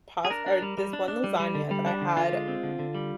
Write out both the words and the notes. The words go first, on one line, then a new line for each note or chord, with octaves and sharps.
past or this one lasagna that I had,
G#4
D4 A#4
D4
G3
G3
D4
D4
G3
G3
D3
G3
D4
D3
D3 F4
G#3
C4
D3
D3
G3